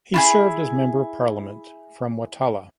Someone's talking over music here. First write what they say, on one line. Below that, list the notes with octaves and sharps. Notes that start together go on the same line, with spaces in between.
He served as Member of Parliament from the Wattala.
E4 F4 G#4